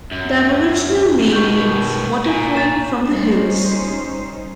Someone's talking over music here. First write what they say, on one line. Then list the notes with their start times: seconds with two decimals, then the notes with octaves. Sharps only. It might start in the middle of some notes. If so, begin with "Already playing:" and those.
The aboriginal name means "water flowing from the hills".
0.12 F#2
1.19 F#2 E3
1.33 B2 D#3 C#6 G6
2.26 A#2 G#5 A#5
2.57 A6 E7
3.03 G3 C#4 D#4 C5